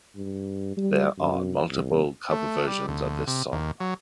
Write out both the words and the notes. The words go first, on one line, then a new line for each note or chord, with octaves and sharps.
There are multiple cover versions of this song.
G2
G3
F#2
C2
A3
G3
D2
C3
D#2
F#3